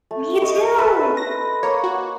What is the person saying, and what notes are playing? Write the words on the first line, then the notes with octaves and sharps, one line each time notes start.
Me too.
A3
D#5 C#6
A4 B4 C5 E5
A#6
A#3 C#5
F#4